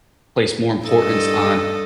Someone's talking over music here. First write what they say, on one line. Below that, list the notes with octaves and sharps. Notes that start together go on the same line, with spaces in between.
place more importance on
G2 A4 D#5